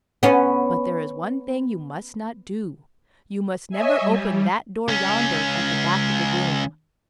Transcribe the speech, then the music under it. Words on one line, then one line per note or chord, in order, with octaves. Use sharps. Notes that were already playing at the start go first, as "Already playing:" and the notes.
But there is one thing you must not do: you must never open that door yonder at the back of the room.
B3 C#4
C#5 D#5 E5 G#5
G3
C#2 C#4